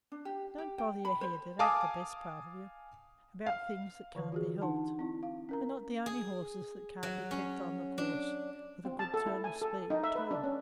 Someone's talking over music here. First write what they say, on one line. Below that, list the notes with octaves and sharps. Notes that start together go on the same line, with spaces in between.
'Don't bother your head--it ain't the best part of you--about things that can't be helped. We're not the only horses that can't be kept on the course--with a good turn of speed too.'
D4
G4
G4
G5
B5
C5
F5 G#5 A5 D6 D#6
F5
D3 E3 B4
F4 F#4 G#4
D4 D#4 F#5 A5
C4 E4
F5
C#4 A#4 A#5
G#4
F#3
C#4
D4
C4
A5
A4
E4
G#5
A4
D#4
E5
B4
D4
C#4